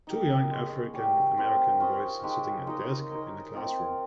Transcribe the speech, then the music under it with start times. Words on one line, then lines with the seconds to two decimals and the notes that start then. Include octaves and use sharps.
Two young African American boys sitting at a desk in a classroom.
0.07 D#4 G4 A#4
0.51 G#3 C#4 G#4
0.94 G3 C#4 G4
1.37 C4 G4 A#4
1.80 C#4 F4 C5 D#5
2.23 G#3 D#4 G4
2.67 G#3 D#4 A#4 D#5
3.09 D#4 A#4 D#5
3.53 C4 F4 A#4 D#5